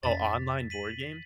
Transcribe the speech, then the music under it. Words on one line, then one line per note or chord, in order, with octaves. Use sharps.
Oh, online board games?
F2 C#4 A6 B6
B6 D#7 F#7